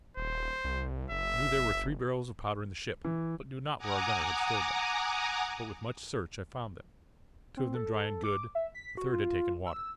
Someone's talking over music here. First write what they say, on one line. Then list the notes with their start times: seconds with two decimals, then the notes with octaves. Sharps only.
I knew there were three barrels of powder in the ship, but knew not where our gunner had stowed them; but with much search I found them, two of them dry and good, the third had taken water.
0.17 D#1 C5
0.64 C2
1.11 F#1 E5
3.04 E3
3.78 F#5 G#5 A#5 D6 D#6
7.57 C4
7.75 A4
8.24 D6
8.55 E5
8.75 B6
8.97 F#4
9.13 F4
9.66 E6